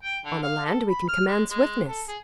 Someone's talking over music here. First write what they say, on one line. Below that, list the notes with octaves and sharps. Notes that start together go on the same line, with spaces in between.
On the land we can command swiftness.
G5
D3
F5
A4
B5
F6
G#3
G#3
A4
G#4